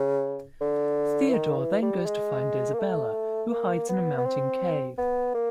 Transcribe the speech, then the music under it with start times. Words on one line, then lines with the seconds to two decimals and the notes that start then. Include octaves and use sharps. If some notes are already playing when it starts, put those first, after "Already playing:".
Theodore then goes to find Isabela who hides in a mountain Cave.
Already playing: C#3
0.61 D3
1.29 E3
1.33 D#3
1.58 E3
1.82 G3
2.06 G#3
2.74 A#3
2.79 A3
3.52 A#3
3.89 B3
4.18 B3
4.25 C4
4.98 B3
5.34 A#3